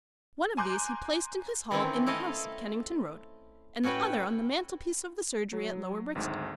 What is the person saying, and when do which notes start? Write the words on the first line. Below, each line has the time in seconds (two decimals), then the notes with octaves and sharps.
One of these he placed in his hall in the house at Kennington Road, and the other on the mantelpiece of the surgery at Lower Brixton.
0.57 G#5 A#5 C6 D6 F#6 G6
1.71 D#3 E3 A#3 C4 C#4 E4
2.06 A3 E4 A4 D#5 F5
3.83 A2 C#4 F#4 B4 G5
5.53 F#3
6.15 G#1 D2 G#2